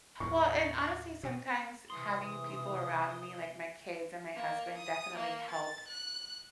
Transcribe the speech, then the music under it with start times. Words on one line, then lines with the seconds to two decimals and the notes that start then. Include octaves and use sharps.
Well, and, honestly, sometimes having people around me, like my kids and my husband, definitely help
0.20 D#2 A2 C#6
1.23 B2
1.90 C3 E3 C6 D#6
4.35 A#3
4.77 D#6
5.16 A#3
5.50 A6
5.88 F#6